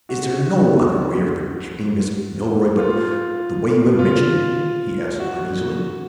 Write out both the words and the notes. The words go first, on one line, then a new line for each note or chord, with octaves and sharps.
"Is there no other way of protecting Miss Milroy but the way you have mentioned?" he asked, uneasily.
F#4
F#4
F#4
F4
F4
F#4